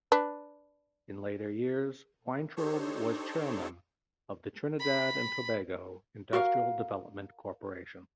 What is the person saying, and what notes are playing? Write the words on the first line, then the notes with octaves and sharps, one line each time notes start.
In later years Weintraub was Chairman of the Trinidad and Tobago Industrial Development Corporation.
D4 B4
D4 D#4 G4 A4 C5 C#5
B5
F#4 A#4 F5